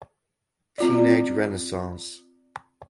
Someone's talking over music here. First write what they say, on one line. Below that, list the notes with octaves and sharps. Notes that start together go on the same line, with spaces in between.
Teenage Renaissance!
C4 F4 D5